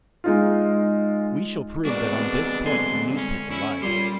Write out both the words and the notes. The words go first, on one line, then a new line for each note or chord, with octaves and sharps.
We shall prove that on this point the newspaper lied.
G#3 D#4 F4
G#3 B3 C4 D4 F#4 A#4 D5
D3 G#5 C6
C#4
C#4 E4
A#2 G3 G4 C6